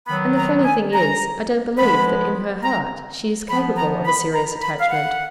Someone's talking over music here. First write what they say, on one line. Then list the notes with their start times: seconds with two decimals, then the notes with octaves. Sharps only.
And the funny thing is, I don't believe that in her heart she is capable of a serious attachment.'
0.06 D#3 F#3 B3 B5
0.36 A#5
0.64 G#5
0.93 A#5
1.77 F3 G#3 B3 B5
2.63 A#5
3.48 F3 B3 B5
3.76 A#5
4.05 B5
4.33 A#5
4.62 B5
4.80 F5
4.90 F#5